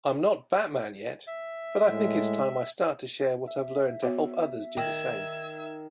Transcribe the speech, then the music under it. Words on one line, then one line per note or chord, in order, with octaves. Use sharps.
I'm not Batman yet, but I think it's time I start to share what I've learned to help others do the same.
E5
A2 G#3
E5
B3 F#4 C#5
D#3 G5 E6 G#6